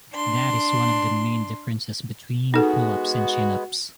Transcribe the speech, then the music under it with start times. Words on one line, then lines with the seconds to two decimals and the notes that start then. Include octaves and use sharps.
That is one of the main differences between pull-ups and chin-ups.
0.13 D4 C6
2.54 G#3 B3 D#4 F#4 A4